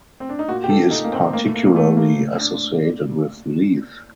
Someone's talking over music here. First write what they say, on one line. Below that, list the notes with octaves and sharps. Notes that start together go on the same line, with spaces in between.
He is particularly associated with Leith.
C4
D4
D#4
A#2 F#4
G4
A#2 A4
A#2 D#4
A#3
A#2 C4
A2 A#3
A3
A2 A#3
A#3
A2 A3
A2 A#3
A2
A2 D4